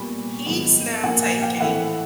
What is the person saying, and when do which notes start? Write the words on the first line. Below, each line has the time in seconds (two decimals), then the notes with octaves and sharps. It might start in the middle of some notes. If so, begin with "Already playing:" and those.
He's now taking
Already playing: A#2 G3 B3 B5 C#6
0.46 G#2 D#3 F#3 B3
1.03 A#2 F3 A#3 F#5 G#5
1.22 F#5 G#5
1.41 F5 G5
1.60 A2 E3 A3 C4 E5 F#5